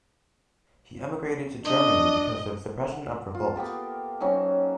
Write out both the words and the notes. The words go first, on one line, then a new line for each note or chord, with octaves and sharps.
He emigrated to Germany because of suppression of revolt.
D4 D#5
F#5
F4
A#3 B3 G4 A4
F#3 C4 C#4 D#4